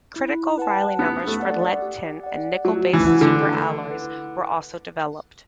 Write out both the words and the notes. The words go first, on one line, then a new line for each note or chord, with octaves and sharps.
Critical Rayleigh numbers for lead-tin and nickel-based super-alloys were also developed.
E4
B4 F#5 A5
B3 G4
A3
D5 F#5
G4
D5 F#5
F#3 A3
E3
E4 B4 F#5
D3
A3
E4 B4 F#5